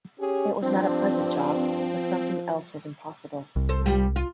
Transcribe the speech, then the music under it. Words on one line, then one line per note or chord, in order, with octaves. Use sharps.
It was not a pleasant job, but something else was impossible.
C#4 G4 G#4 C#5
G2 F3 C4 D4
C2
A4 C5
G3 F4
F4